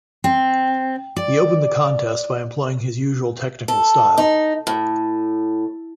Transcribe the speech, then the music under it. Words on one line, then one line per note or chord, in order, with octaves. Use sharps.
He opened the contest by employing his usual technical style.
C4
D5
A4
D#4
A2